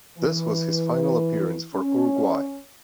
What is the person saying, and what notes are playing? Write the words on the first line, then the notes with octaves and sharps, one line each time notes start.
This was his final appearance for Uruguay.
E3
C#4